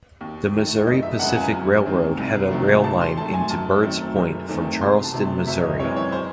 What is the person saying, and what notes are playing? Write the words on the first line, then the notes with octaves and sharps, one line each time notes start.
The Missouri Pacific Railroad had a rail line into Birds Point from Charleston, Missouri.
D#2
D#3 A3
F#1 D#5
E5
E2 C#3 G#3 F#5
G#5
F#2
D#3 A3 C4
C2
C3 D#3 F#3 A3
G#1 A5
C6
G#2 F#3 A3 A5
G#5
F#2 A5
D#3 F#3 A3 C4
F#1
E2 D#3 A3 C4
C2 C6
A5
C3 F#3 A3
F#1 E5
D#5
F#2 E3 G#3 C4 C#5
C#5
C5